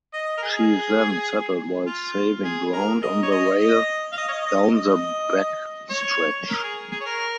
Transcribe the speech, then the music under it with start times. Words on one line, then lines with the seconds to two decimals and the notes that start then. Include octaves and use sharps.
She then settled while saving ground on the rail down the backstretch.
0.14 D#5
0.38 A#4
0.43 G#4
1.87 F4
2.44 G#4
2.73 A#4
3.02 D#5
3.23 C#5
3.31 D#5
3.60 D#5
4.12 F5
4.18 D#5
4.28 C#5
4.32 D#5
4.46 D#5
4.76 D#5
5.90 C#5
6.49 A#4
6.63 G#4
6.92 G#4
7.01 C#5
7.06 A#4